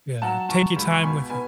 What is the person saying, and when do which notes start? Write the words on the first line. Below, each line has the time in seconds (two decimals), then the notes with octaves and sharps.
yeah, take your time with him.
0.22 F#3 F#5 A5
0.49 F#3 A5 C#6
0.76 C#2 B5
0.90 C#6
1.03 B2 G#5 B5
1.30 B3 G#5 B5